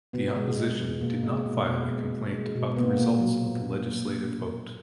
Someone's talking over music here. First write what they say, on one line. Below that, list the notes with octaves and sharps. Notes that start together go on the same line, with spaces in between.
The opposition did not file a complaint about the results of the legislative vote.
B2 B3
G#3
B2
B2
B2 A#3
G#3
B2
B2
G#3
B2
G#3
B2
A#3 B3
A#2
F#3